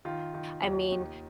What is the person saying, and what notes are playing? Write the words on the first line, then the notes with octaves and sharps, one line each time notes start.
I mean,
D#3 F4
D#3
D#2
D#2